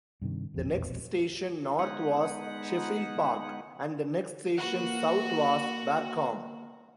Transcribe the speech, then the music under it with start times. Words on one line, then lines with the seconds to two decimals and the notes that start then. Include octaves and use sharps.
The next station north was Sheffield Park and the next station south was Barcombe.
0.22 G2 C3 D#3
0.54 E1 A#1 F2
1.79 G#3 B3 D#4 F#5
4.58 A#3 F#4 B4 F#5